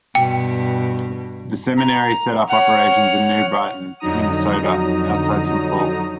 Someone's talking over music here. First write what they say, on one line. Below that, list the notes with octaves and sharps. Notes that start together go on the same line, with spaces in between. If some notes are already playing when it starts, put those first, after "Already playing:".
The seminary set up operations in New Brighton, Minnesota, outside Saint Paul.
G2 B2 G5
A#5
C#5 F#5 F6
F2 D3 F#3 D#4 A#5 D#6